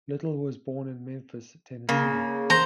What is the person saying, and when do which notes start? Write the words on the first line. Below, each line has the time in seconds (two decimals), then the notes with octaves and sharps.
Little was born in Memphis, Tennessee.
1.89 C#3 A#3
2.50 C5 A#5